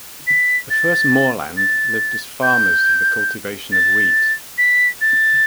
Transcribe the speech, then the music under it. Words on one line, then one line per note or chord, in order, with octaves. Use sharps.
The first Moorland lived as farmers of the cultivation of wheat.
B6
A6
A6
G6
A6
B6
A6